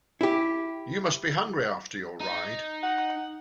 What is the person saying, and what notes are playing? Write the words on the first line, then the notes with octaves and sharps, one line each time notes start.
You must be hungry after your ride.
E4 G4
D#4
F#5